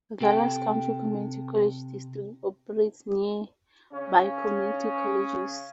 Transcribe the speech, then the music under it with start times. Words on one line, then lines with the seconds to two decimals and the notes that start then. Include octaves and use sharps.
Dallas County Community College District operates nearby community colleges.
0.21 C3 A4 G5
3.92 C#3 C#4